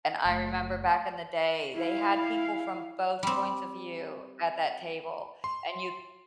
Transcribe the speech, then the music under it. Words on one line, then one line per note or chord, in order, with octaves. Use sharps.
and I remember back in the day, they had people from both points of view at that table, and you
F#1 A3
E4 F5
G3 C4
C6